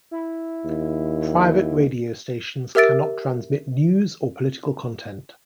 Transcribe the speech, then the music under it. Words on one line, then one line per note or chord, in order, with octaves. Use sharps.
Private radio stations cannot transmit news or political content.
E4
D#2
G4 A#4 E5 E6 A6 D7